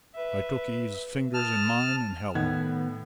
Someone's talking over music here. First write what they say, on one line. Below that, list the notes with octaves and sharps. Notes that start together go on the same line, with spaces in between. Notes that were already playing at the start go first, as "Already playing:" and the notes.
I took Eve's fingers in mine and held them.
B4 E5
A5 D#6 F6
A2 D#3 B3 F#5 G#6